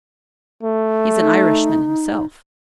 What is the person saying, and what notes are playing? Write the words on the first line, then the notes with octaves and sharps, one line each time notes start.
"He's an Irishman himself."
A3
D#4